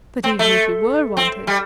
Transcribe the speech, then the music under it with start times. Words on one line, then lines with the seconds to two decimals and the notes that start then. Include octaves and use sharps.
"But even if you were wanted--?"
0.24 C4
0.39 A3
1.17 C4
1.47 G3